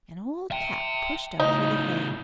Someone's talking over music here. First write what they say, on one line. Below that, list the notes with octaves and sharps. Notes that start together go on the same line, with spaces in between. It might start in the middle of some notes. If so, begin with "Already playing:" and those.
An old cap pushed up through the hay.
E5 G5
A2 C#3 D#4